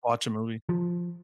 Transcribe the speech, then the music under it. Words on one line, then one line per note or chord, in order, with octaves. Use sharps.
Watch a movie.
F3